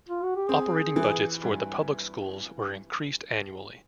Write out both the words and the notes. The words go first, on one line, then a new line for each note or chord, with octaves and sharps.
Operating budgets for the public schools were increased annually.
F4
F#4
G4
C4 G#4
E3
G2